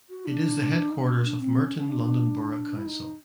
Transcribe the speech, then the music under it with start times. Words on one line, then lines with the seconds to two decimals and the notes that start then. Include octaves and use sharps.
It is the headquarters of Merton London Borough Council.
0.10 F#4
0.26 D4
0.91 D#4
1.02 D4
1.13 C#4
1.24 D4
1.40 C4
1.64 C#4
1.78 C#4
1.89 D4
2.77 E4
2.86 D#4